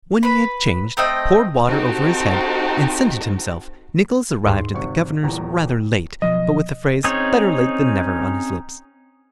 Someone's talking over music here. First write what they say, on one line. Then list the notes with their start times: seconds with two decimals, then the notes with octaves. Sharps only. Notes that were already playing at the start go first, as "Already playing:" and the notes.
When he had changed, poured water over his head, and scented himself, Nicholas arrived at the governor's rather late, but with the phrase "better late than never" on his lips.
0.23 B4 B5
0.97 A3 C4 D#5 G5
1.67 C4 D#4 F#4 G4 A4
4.47 D#2 G#2 C6
4.74 G#1 C3 C#6
5.23 D#1 E2 A#5
6.22 B2 F3 F#3 D#5
7.04 C4 C#4 D#4 G#4 C#5